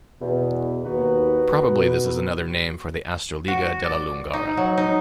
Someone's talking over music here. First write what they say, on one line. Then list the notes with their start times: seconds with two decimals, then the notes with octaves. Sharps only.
Probably this is another name for the 'astroliga della Lungara'.
0.21 E2 B2
0.85 D#2 D#4 F#4 B4
1.70 B2
3.48 F#4
3.84 D5
4.33 D#4
4.57 F#3
4.78 D#4